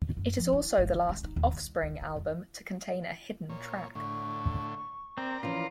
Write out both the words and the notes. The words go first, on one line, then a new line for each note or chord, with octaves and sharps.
It is also the last Offspring album to contain a hidden track.
F#2
F3
E4
G#1
D3
C#4
D#4
D#2
C2
D2
D#4
F2
A#2 C#5
A2 D3 C#6
C4 A#4 D5 A#5
E3 F3 C#4 F4